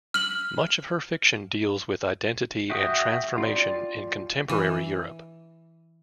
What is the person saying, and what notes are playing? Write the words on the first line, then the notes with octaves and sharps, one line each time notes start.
Much of her fiction deals with identity and transformation in contemporary Europe.
F6 F#7
F#4 E5 G5 D#6
F4 G4 D5
E3